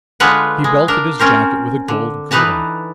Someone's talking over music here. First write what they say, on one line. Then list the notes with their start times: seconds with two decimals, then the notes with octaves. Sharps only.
He belted his jacket with a gold girdle.
0.20 D3 G#3 F4 B4 F#5
0.64 G#3
0.88 D4 A#4
1.19 C4 C#4 A#4 C5
1.88 D3
2.31 D3 E3 D#4 B4 A5 A#5